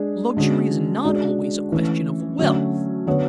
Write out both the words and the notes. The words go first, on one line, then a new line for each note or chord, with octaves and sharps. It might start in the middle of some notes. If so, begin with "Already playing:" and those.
Luxury is not always a question of wealth.
Already playing: G#3 D4 G#4
D3 G#3 C#4 F#4
G#3 D4 F#4
E3 A3 C#4
D3 F#3 A3 C#4
D3 F#3 B3 F#4 C#5